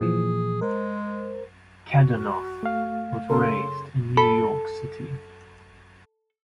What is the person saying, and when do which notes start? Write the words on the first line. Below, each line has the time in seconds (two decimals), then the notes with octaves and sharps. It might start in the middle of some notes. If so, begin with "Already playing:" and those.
Kadanoff was raised in New York City.
0.01 A#2 E3 F3 G#4
0.61 G#3 A#4 C5
1.92 F#4
2.63 A3 F5
3.30 C#3 A4 A#4 C6
4.17 A4 B5